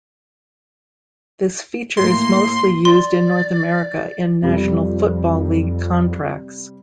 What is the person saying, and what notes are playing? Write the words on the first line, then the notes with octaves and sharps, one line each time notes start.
This feature is mostly used in North America in National Football League contracts.
A2 A#3 C6
D5 C6
F2 C3 G3